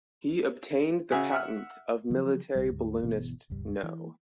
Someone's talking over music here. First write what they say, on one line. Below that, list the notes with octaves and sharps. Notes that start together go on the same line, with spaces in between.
He obtained the patent of military balloonist no.
C#3 F#4 G#4 E5 G#5
E5 F#5 F6
C#3 F3 F#3
B1 C3 G3
D2 G#2
G1 B2 E3 B3
E1 C#2 G2 G3
E3